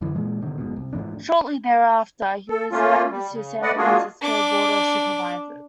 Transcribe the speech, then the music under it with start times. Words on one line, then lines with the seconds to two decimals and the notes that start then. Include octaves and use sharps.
Shortly thereafter, he was elected to the San Francisco Board of Supervisors.
0.01 F#2 D3 E3
0.15 A#2 E3 G#3
0.42 G2 B2 D3 D#3
0.58 F#1 G#2 B2
0.76 C2
0.93 G#2 E3 A3 D4
2.49 A4
2.72 A3 A#3 C#4 F4
3.11 G3
3.32 C#3
3.62 A3 B4 D5 D#5 F#5
3.77 G#3 A#3 D4 F4 F#4 G#4
4.22 D4 D6